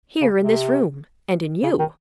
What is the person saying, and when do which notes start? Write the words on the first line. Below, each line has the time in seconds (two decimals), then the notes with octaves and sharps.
"Here, in this room, and in you."
0.21 C#3
0.42 C3
1.63 C#3
1.79 D#3